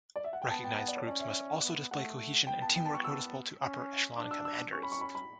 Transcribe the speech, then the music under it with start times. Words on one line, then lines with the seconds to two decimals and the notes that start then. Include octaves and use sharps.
Recognized groups must also display cohesion and teamwork noticeable to upper echelon commanders.
0.16 D5
0.24 E5
0.33 F#5
0.42 G5
0.50 B3 A5
0.64 G5
0.79 F#5
0.88 D5
0.97 C#5
1.07 C#4 D5
1.20 E5
1.63 B3
1.91 A3 F#5
2.47 B3 G5
2.62 A5
2.76 G5
2.85 A5
2.94 C#6
3.04 E6
3.61 C#4
4.16 D4 D6
4.31 E6
4.45 E6
4.73 C#4 C#6
4.83 B5
4.92 C#6
5.01 B5
5.15 B5